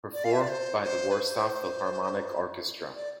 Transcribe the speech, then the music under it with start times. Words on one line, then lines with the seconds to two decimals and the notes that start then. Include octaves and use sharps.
Performed by the Warsaw Philharmonic Orchestra.
0.13 D5
0.24 F5
0.32 E5
0.41 D5
0.49 C5
0.84 C5
1.11 B4
1.19 C5
2.96 D5